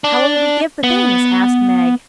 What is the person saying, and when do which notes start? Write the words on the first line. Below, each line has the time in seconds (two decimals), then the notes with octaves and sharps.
"How will we give the things?" asked Meg.
0.04 D4
0.83 B3